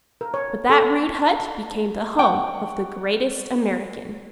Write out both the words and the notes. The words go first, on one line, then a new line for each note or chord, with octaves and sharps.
But that rude hut became the home of "the greatest American."
A#4
C#5
A4
F#5 G5 C#6